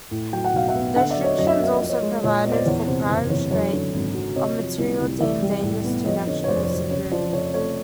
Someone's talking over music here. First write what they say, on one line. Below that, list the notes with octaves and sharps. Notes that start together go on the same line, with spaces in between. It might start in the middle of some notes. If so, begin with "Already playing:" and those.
The restrictions also provided for prior restraint of material deemed dangerous to national security.
A2
F#3 G5
F#5
B1 F5
E5 F#5
B3
D3 E5 F#5
D5 E5
F#3
C#5 D#5
F#2 D#5
E5
D#5
A#3 E5
D#5
F3 E5
C#5 D#5
G#3
A#2 C#5 D#5
B3 D#5
C5 D5
E2 C#5
C3 C5
F#1 C5
E3 C#5
F#2 C#5
D3
G#1
F#3
C3 C#5 D#5
F3
C2
C2
E3 D5 E5
G3
A2
B3
F2 C#5 D#5
D3 C#5 D#5
C#5
F1 C5 D5
C#5
F#3 C5
C#3 C#5
F3 C5 D5
F2 C#5
A3 C#5